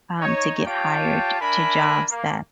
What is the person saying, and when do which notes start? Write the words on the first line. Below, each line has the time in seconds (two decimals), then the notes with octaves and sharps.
um, to get hired to jobs that
0.20 D#4 C#5
0.65 F4 G4 C#5 G5 A5
1.40 D4 A#4 E5 G#5 B5
2.10 A#3